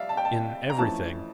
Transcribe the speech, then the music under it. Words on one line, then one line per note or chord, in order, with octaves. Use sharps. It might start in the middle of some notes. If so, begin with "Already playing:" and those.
"In everything."
Already playing: F2 G3 D5 E5 F5
A5
G5
A5
A#5
F2 E3 A3 C#4 A5